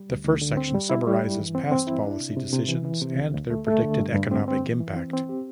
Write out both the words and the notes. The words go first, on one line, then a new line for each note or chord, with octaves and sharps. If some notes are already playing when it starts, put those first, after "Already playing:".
The first section summarizes past policy decisions and their predicted economic impact.
Already playing: G3
D2
D2
D3
C4
G3
E4
G3
G2
E3
C4
C4
E4
D4
C3
C3
C3
E3
E3
C3
C2
D2
A3
A3
D3
G2
G2
C4
C4
E3
E3
C4
C4
G4